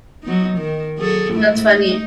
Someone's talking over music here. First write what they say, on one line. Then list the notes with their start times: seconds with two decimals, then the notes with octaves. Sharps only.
That's funny.
0.23 F#3 B3 D#4
0.57 D#3
0.98 F#3 G#4 A4
1.32 G#2 A3 E4
1.68 D#4